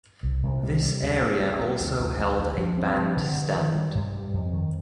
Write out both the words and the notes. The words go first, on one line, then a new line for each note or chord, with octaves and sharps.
This area also held a band stand.
C2
C2
G3
G3
D2
A#3
G3
A#3
D2
D2
D2
D2
F3
C4
F3
D3
G2
D#3
G3
G2
G3
F2
D#3